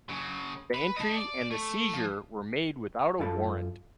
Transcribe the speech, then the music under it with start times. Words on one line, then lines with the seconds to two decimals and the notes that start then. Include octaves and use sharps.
The entry and the seizure were made without a warrant.
0.09 C#3 F#3
0.74 B4
0.96 D#5 A5
1.16 D5
1.51 A3
1.94 F3
3.19 F#2 F4 A4 A5 B5